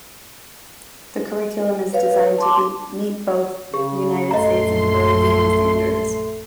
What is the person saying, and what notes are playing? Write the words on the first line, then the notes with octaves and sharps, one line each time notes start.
The curriculum is designed to meet both United States and Peruvian standards.
B4 C#5 F5
A5 C6 D6
C#3 G4
A#1 F#2 A3 D#5 A#5 C6